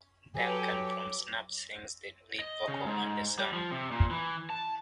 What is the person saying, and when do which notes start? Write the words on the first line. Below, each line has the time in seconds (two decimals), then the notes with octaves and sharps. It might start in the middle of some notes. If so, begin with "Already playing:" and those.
Duncan from Snuff sings the lead vocal on the song.
0.35 F#3 G4 A4 B4 C#5 G#5
0.87 D6
2.39 D#5
2.68 C#3
2.86 G#2
3.39 G3
3.53 F3
3.72 C3
3.92 A#2
4.11 E3
4.50 A5